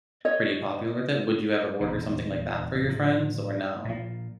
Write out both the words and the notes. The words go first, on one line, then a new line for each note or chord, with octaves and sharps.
pretty popular with it. Would you ever order something like that for your friends or no?
C#5 D#5
D#1 A#1 E2 D3
A2 F3
A#2 F3